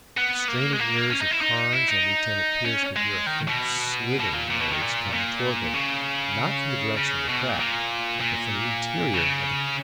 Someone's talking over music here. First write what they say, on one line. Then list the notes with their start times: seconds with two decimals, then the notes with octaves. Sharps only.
The straining ears of Carnes and Lieutenant Pearce could hear a faint slithering noise coming toward them, not from the direction of the crack, but from the interior of the cave.
0.17 B3
0.48 A#3
0.73 G#3
0.80 A#3
1.10 C#4
1.21 D#4
1.31 E4
1.41 D#4
1.73 E4
1.88 D#4
2.65 C#4
2.96 G#3
3.27 D#3
3.48 B2
4.20 B2
4.34 A#2
4.50 A#2
4.60 B2
4.72 D#3
4.82 A#2
5.13 A#2
5.74 C#3
6.97 C#3
7.29 B2
7.44 A#2
7.59 A#2
8.21 A#2
9.14 C#3